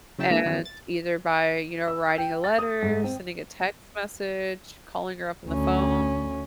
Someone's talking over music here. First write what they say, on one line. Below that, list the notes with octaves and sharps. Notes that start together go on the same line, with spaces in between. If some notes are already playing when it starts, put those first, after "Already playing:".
and either by, you know, writing a letter, sending a text message, calling her up on the phone
C#3 F#3 E4 G5 A5
E3 G#3 A#3 D4 E4
F#2 D#3 F#3 B3
A6
E6
G5
A6
D#6
G#2
C4
D2 C#4